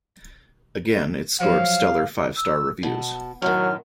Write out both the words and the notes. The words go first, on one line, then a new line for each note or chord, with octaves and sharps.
Again, it scored stellar five-star reviews.
F3 F#3 F5
E6
B2 A5
F#2 A2 D#3 F#3 F6